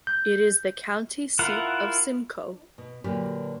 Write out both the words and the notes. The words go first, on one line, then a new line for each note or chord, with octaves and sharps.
It is the County seat of Simcoe.
G6
E4 F4 A#4 F#5
B2
A#2 D3 F#3 G4 B4